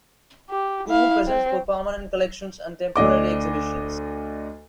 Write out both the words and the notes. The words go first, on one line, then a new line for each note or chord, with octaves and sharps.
Kumu presents both permanent collections and temporary exhibitions.
G4
E4 F5
C4
D2 D4 D#5 D6